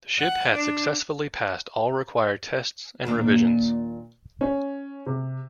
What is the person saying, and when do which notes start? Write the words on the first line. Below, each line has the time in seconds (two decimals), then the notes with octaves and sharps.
The ship had successfully passed all required tests and revisions.
0.18 F#5
0.52 D4
3.05 D#2 A#2 D4
4.41 C#4
5.06 C3